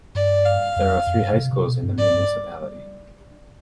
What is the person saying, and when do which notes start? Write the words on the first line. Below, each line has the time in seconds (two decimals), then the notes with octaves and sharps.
There are three high schools in the municipality.
0.15 G2 D5
0.46 F5
0.76 F2
1.07 F2
1.16 G#2
1.22 G2
1.33 B2
1.38 C3
1.53 C3
1.68 B2
1.83 G2
1.98 G#2 D5
2.14 G2